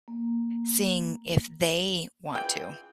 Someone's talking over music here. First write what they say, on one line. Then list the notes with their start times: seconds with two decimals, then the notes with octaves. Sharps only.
seeing if they want to.
0.08 A#3
2.35 E3 F4 G#4 G5